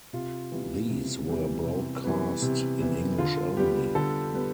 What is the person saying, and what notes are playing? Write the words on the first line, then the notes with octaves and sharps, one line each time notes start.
These were broadcast in English only.
C3 F4
E3 G3 B3
C3
E3 G3 B3
C3
E3 G3 B3
C3
E3 G3 B3
D3 F4
G3 B3 G4
D3 A4
G3 B3